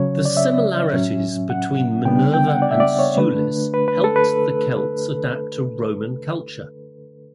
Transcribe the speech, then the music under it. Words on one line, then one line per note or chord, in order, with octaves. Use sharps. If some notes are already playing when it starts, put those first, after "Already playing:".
The similarities between Minerva and Sulis helped the Celts adapt to Roman culture.
Already playing: C#3 F#3 C#4 C#5
D5
E5
A2 F#3 C#4
F#5
C#3 G3 B3 D4 G5
G5
F#5
D5
E5
D5
C#5
D3 A3 D4 B4
B4
B4
A4
B4